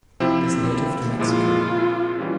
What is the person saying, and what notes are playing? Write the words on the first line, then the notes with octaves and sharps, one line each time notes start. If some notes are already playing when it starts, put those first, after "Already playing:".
It is native to Mexico.
C3 F3 C4 E4
A#2 F3 G#3 E4 F4
E3 G3 C#4